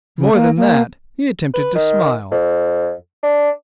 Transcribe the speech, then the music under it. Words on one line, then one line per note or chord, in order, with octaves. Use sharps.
More than that, he attempted to smile.
C#3
A#3
A#3
B4
D#3
F2
D4